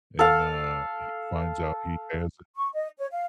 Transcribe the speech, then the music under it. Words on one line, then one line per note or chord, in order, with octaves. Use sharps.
And, uh, he finds out he has
A4 F5
C#6
D#5
C#5
F5